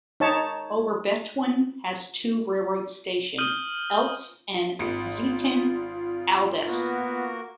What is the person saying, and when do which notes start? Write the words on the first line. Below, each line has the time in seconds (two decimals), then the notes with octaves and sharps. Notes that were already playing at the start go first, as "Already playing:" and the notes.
Overbetuwe has two railway stations: Elst and Zetten-Andelst.
0.20 D#4 C#5 A5
3.38 D#6 F6 G6 D#7 F#7 G7
4.79 G#1 F4 C#7
6.67 A#3 B3 F#4 A#4